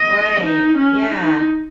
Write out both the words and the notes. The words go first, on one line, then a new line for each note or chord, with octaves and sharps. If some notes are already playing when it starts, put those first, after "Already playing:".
Right. Yeah.
Already playing: D#5
D#4
C#4
D#4